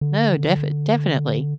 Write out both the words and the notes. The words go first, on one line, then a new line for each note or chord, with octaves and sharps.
No, def definitely.
D3